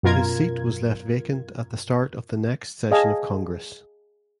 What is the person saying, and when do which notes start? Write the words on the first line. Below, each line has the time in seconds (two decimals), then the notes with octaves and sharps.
His seat was left vacant at the start of the next session of Congress.
0.03 F#2 B2 F4 A#4 G#6
2.91 G#4 D#5 F5 G#5 A5